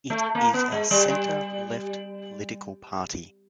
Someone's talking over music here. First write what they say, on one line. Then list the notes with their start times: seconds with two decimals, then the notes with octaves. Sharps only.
It is a centre-left political party.
0.10 A3
0.35 A#3
0.54 B3
0.72 G#3
0.91 G3
1.09 G3